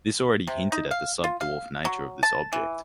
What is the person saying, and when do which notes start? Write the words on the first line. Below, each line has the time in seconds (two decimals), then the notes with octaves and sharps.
This already hinted at the subdwarf nature of this object.
0.47 C3
0.72 D#4
0.91 F5
1.24 F4
1.41 F5
1.85 F#3
2.23 A5
2.53 E3